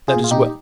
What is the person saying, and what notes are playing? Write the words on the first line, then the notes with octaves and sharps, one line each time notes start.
"That is well."
F4 G#4
A#2
F4
D#4 G4